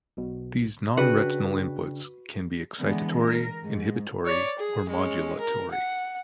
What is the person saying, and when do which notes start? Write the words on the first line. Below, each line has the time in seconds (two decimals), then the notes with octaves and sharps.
These non-retinal inputs can be excitatory, inhibitory, or modulatory.
0.17 B1 B2
0.97 C#3 D4 F#4 B4 F#5 G5
2.78 D3 E3 G#3 B3
3.23 A#4
3.62 G#2 G#3
4.26 C#5 D5
4.59 G#4
4.90 G#3 C#4
5.40 A#4
5.72 F#5